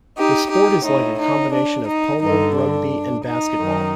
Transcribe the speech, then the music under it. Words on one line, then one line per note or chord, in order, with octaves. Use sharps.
The sport is like a combination of polo, rugby, and basketball.
D#4 G4
D#4 G4
A2 D#4
D#4
D4
D#4
G2 D3 D#4
D4
D#4
F#2 D#3